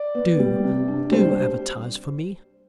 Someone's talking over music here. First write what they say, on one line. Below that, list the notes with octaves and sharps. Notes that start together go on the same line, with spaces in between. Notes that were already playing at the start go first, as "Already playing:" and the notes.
Do, do advertise for me.
Already playing: D5
B3
G3
C3
D4
G3 C5